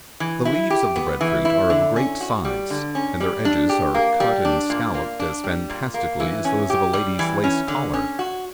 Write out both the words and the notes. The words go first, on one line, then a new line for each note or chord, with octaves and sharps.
The leaves of the bread-fruit are of great size, and their edges are cut and scolloped as fantastically as those of a lady's lace collar.
E3
E4
G4
B3
E3
E4
D3
C#4
F#4
G3
D3
C#4
G3
D4
G4
A#3
G3
D4
A#2
A#3
D4
G3
A#2
A#3
E3
C#4
G4
G3
E3
C#4
D3
C#4
F#4